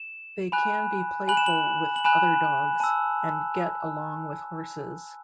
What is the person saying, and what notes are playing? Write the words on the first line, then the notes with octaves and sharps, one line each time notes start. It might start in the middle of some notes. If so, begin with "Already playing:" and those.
They can be playful with other dogs, and get along with horses.
Already playing: E7
G#5 B5 F#6
G#5 B5 F#6 F#7
E7
F#7
F#7
G#5 B5 F#6 E7
A5 E6